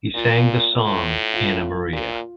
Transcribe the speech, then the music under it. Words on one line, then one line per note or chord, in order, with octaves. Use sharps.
He sang the song "Annamaria".
A#2 F4
A2
F4
A#2